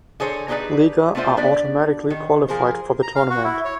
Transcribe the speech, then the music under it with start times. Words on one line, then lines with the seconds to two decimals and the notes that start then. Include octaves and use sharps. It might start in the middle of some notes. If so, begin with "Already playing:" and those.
Liga are automatically qualified for the tournament.
0.20 D3 G#4 A4 C5 C#5
0.48 D4 D#4 G4 G#4 B4 D5
1.15 A3 C4 D4 F4 C5 E5
1.37 B3 D4 G4 D5
2.10 D#3
2.48 F3 G#4 A#4 C5
3.02 A#5
3.16 F5
3.30 F#4
3.44 E4
3.65 C#5